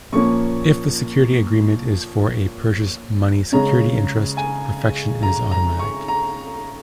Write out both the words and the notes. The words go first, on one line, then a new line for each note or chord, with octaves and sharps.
If the security agreement is for a purchase money security interest, perfection is automatic.
A#2 F3 A#3 C#4 C#6
C#3 G#3 C#4 A#5
G#5
A#5
A#5
C#6
A#5